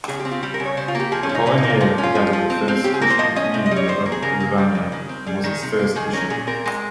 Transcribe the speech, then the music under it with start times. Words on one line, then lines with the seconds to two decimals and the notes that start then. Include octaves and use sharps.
Apollinaire gathered the first Christian community of Ravenna and was its first bishop.
0.08 C#3 G#4
0.19 G4
0.25 C4
0.31 F4
0.43 G3 G4
0.54 A#4
0.60 C#3
0.65 C#5
0.77 C#3 C5
0.88 F4
0.95 A#3
1.00 G4
1.12 F3 G#4
1.23 C#4
1.29 C#3
1.35 D#4
1.46 A#2 C#4
1.58 D#4
1.63 A#3
1.70 F4
1.81 F3 F4
1.98 C#4
2.03 F4
2.15 F3
2.33 F3
2.50 C4
2.68 C4
2.84 C#3 G4
2.94 G#4
3.01 A#3 A#4
3.10 C5
3.19 F3 D#5
3.36 C#4 D#5
3.54 C3
3.66 D#5
3.71 G3
3.76 C#5
3.88 D#3 C5
4.06 A#3
4.12 G#4
4.22 C#3 A#4
4.40 A#3
4.58 G3
4.75 C#3
4.92 D#3
5.09 C4
5.26 G3 G#4
5.44 D#3
5.62 C3
5.79 A#3
5.96 D#3 G#4
6.13 C#4 A#4
6.30 A#2 G#4
6.47 C4 A#4
6.66 G#3